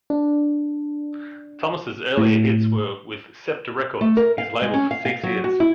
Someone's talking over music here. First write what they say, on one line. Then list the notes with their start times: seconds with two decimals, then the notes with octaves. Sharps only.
Thomas's earlier hits were with Scepter Records, his label for six years.
0.10 D4
2.17 A2
4.01 A3
4.17 A#4
4.38 F5
4.62 G#3
4.74 C#4
4.91 F5
5.05 F5
5.23 F#3
5.44 F#4
5.60 E4